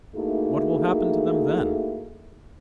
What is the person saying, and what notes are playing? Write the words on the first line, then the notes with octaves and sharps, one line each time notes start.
What will happen to them then?
A3 A#3 D#4 E4 F#4 G#4